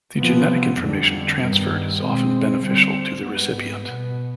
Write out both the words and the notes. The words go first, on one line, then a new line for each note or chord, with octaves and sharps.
The genetic information transferred is often beneficial to the recipient.
C3 F3 B3
F2 D3 G3
G2 D#3 G3 B3
B2 G#3 C4
D3 G3 C4
G#2 G3 B3
B2 B3